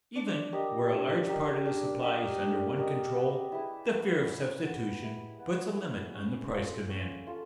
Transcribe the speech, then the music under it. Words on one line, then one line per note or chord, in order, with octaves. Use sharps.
Even where a large part of the supply is under one control, the fear of substitution puts a limit on the price demanded.
D4
G4 A#4 D#5
D4
G4 A#4 D#5
D4
G4 A#4 D#5
D4
G4 A#4 D#5
B3
E4 G#4
B3
E4 G#4
B3
E4 G#4
B3
E4 G#4
C#4
F4 A4
C#4
F4 A4